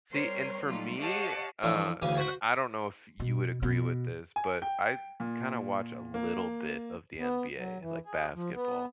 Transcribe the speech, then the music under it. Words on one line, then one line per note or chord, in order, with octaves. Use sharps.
See, and for me, uh, and I don't know if you would agree with this, but I kinda watch a little bit of the NBA, like basketball.
G3 C4 A#4 C5 C#5 C6
F#3 G3 A3 D#4 F4
G4 C#5 D#5 F5 F#5 A5
E3 F3 A3 D4
D2 C#3 E3 C#4 G#5 D6
F#4 C5 F#5 B5 C#6
B2
B2
G#5
G5
A#2
A#3
B3
F#3
E3
G#4
F3
B3